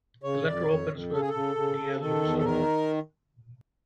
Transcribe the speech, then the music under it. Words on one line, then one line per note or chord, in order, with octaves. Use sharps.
The letter opens with "Dear Loser".
C#3 C#5
F2 D5
F2 C#5
F2
C#3 A4
G#4
A4
C#3
C#3
C#3
D#3 A4
E2
A4
D#3 A#4